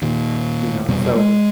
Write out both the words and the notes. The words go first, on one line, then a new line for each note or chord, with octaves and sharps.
You know? So
D#2 A#2
F1 B2 G3
G#3